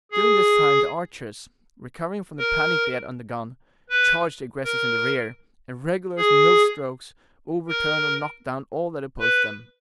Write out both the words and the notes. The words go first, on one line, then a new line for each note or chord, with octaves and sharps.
During this time the archers, recovering from the panic they had undergone, charge the aggressors in the rear, and regular as mill strokes, overturn or knock down all that opposed them.
G#4
A#4
B4
A#4
G#4
A#4
B4